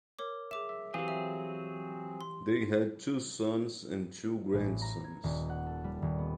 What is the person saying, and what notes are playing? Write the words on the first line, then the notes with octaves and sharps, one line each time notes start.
They had two sons and two grandsons.
A#4 C#5 D6
G#4 E5 D6 E7
E5
E3 F#3 C4 G4 G#4 F5
E5
C6
A1
A#5
G#6
D#1
F#5
A4
G3
D#1
B3